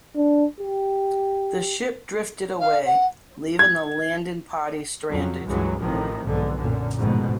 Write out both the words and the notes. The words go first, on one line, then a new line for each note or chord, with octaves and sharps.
The ship drifted away, leaving the landing party stranded.
D4
G4
F5
F#5
G#6
F2 F#3
C#2 G2 E3 F#3 G#3
A1 A2 C3 D#3 F3
B1 G#2 D3
F#2 A#2 D3
A1 F2 G#2 B2